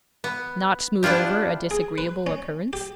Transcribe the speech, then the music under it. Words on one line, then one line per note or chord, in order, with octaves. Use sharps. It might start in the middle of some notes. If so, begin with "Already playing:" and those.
'Not smooth over a disagreeable occurrence?'
B3
B3 D4 E4 F4 G4
G#4
B4
C#4
G4